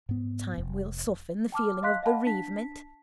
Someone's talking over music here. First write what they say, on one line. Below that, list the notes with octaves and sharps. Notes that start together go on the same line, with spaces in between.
Time will soften the feeling of bereavement.
G#2 B3
F1
G5 A5 D6 F6
D#5 F5 C6 F#6 B6
D#5 F5 F#5 A5 B5
D4 A5 B6